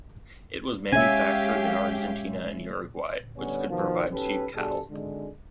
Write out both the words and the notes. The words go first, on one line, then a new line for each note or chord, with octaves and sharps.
It was manufactured in Argentina and Uruguay which could provide cheap cattle.
G#3 C#4 G4 E5 F5 G#5
D3 G3 B3 C#4
B2 D#3 F3
B1 C#4 G4 A4 B4
G2 B2 G3 G#4 A4
G#1 D3 G#3